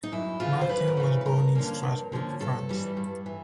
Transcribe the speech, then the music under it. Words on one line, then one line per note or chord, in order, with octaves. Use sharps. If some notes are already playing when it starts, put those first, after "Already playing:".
Mathieu was born in Strasbourg, France.
D#4
F#2 E4
C#3 E3 F4
C5
F#2 B4
A#4
C#3 E3
B4
G2 A#4
D3 F3 A#3 C#4
G2
D3 F3 A#3 C#4
G2 A4
E3 G3
G2
E3